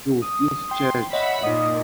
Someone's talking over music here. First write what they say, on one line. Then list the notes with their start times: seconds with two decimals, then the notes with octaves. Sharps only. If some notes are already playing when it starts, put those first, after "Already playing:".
Jooste’s church.
0.22 D#6
0.71 G5 C6
1.13 C#5 D#5 E5 F#5 B5
1.43 A#2 D#4 D#5 D#6